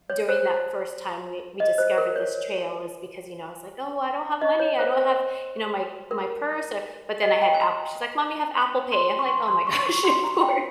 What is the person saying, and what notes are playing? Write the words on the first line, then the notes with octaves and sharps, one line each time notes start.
during that first time we we discovered this trail is because, you know, it's, like, "Oh, I don't have money, I don't have" you know, "my my purse, or" but, then I had App she's like, "Mom, you have Apple Pay." I'm like, "Oh my gosh, of course."
C#5
C5
D#5
C5
A#4
C#5
D#5
C#5
C5
C5
A#4
D#5
G5
G#5
A#5
C6
C#6
C6
C6
C#6
C#6
C6
A#5
G5